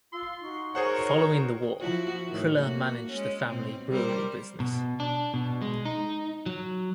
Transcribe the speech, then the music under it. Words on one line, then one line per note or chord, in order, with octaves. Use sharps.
Following the war, Priller managed the family brewery business.
F4 F5 C6 E6
D#4 F#4 C#6
G#4 A#4 C5 C#5 F#5
F3 E4 F#4
A2 D#3
A3 A#3 F#4
G#3 C#4
B2 C4
G3 A#4 C5
B2
D4
B2
G#3
D#4
F#3